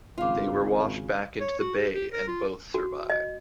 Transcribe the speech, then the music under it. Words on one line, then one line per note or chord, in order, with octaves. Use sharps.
They were washed back into the bay and both survived.
G#1 C#3 F4 F5 D6
C#5
F#4
G4
G4
A#4
F4
F#4
D#5